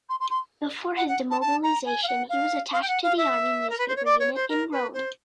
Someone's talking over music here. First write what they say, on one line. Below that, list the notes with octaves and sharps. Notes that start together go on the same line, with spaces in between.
Before his demobilisation he was attached to the Army Newspaper Unit in Rome.
C6
C6
C6
F#5
F#5
A5
A5
A#5
G#5
F5
F#5
F5
F5
G5
F#5
F5
E5
A#4
B4
C5
C#5
D5
C#5
C5
A#4
B4
C5